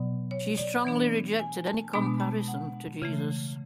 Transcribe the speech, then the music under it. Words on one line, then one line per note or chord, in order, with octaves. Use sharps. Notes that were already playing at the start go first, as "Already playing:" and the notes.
She strongly rejected any comparison to Jesus.
Already playing: B2 F#3 B3 D5
C#5
D5
E3 B3 D4
G#5
A5
B2 G#3 B3 D4 B5
A5
F#5
C#3 E3 A3